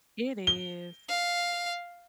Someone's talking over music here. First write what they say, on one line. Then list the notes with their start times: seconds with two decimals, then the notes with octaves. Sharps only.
It is.
0.47 G7
1.09 F5